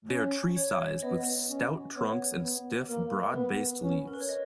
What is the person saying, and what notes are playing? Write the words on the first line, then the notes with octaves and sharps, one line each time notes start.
They are tree-sized with stout trunks and stiff, broad-based leaves.
C#4
C#5
B3 D#5
C#4
B3 C#5
B3
A#3 A#4
B3 B4
C#4
A#4
B4
C#5
D#5